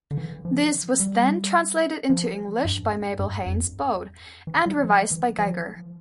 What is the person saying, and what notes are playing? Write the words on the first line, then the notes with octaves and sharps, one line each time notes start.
This was then translated into English by Mabel Haynes Bode, and revised by Geiger.
D3
E3
F3
G3
F3
G2
G2
F2
E3
G3
F3
E3
F3